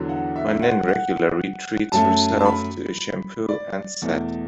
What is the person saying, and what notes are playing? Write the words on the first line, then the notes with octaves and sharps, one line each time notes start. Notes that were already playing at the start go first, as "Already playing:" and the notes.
My nan regularly treats herself to a shampoo and set.
Already playing: E2 D3 F#3
F#5
E5
F#5
F#5
F#2 F#3 A3 A5
A5
B5
D5
E2 B2 A3